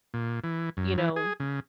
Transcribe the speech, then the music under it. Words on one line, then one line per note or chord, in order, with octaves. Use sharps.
you know
A#2
E3
F#2
E3
G#4
C#3